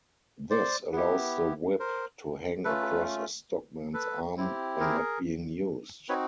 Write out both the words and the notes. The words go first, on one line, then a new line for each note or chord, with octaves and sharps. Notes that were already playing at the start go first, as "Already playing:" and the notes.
This allows the whip to hang across a stockman's arm when not being used.
C5 D5
B3 E4 G4
A#4 C5
A3 C#4 F4 A4 B4
A4 B4
C4 E4 G4
G#4 A#4
C4 D#4 F#4 B4 C#5